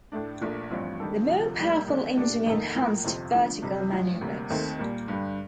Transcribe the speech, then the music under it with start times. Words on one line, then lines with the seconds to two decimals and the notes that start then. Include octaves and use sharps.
The more powerful engine enhanced vertical maneuvers.
0.12 A2 A3 D4
0.41 A#1 A#2 F3 A3 D4
0.71 A1 G2 F3 C4
1.00 D#3 G3 D4 A4
1.29 D2 C3 F3
1.58 A#1 A2 G3 A#3
1.88 D#2 D3 A3 D4
2.17 A#2 A3 D4 G4 D5
2.46 F2 D#3 A#3 D#4 A4
2.75 A2 F3 A#3
3.03 G1 F2 C3 F3 C4
3.33 D3 F3 A3
3.62 F2 C3 G3
3.92 A1 G2 F3
4.21 D2 C3 G3 A#3
4.50 D#2 D#3 A3 C4
4.79 A#2 G3 A#3
5.08 G2 D3 G3